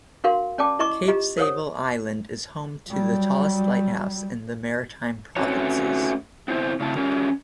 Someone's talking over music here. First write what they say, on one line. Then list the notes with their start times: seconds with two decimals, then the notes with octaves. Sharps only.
Cape Sable Island is home to the tallest lighthouse in the Maritime Provinces.
0.24 D4 F#4 A#4 F5 F#5 C6
0.58 C#4 D5 G5 A5 D6
0.79 E4 D#5 A#5 C#6 D6
1.08 F4 G4 D#5 A#5
1.37 A#4 C5 C#5 F#5 D#6
2.88 F#3 G3
5.36 A3 C4 C#4 F#4 B4 C#5
6.48 B3 C4 E4 C5
6.80 C#3 A3 C4 E4 A5
6.96 C#4 G4 A#4